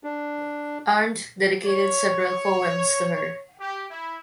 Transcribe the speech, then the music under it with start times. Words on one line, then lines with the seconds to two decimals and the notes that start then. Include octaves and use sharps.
Arndt dedicated several poems to her.
0.04 D4
1.65 C#5
3.58 G4
3.91 E4